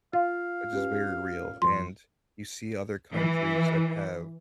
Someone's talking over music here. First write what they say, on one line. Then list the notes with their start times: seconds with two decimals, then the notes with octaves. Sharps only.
Which is very real, and you see other countries that have,
0.13 F4 F5
0.73 C#4 G4 B4
1.62 F2 C6
3.13 E3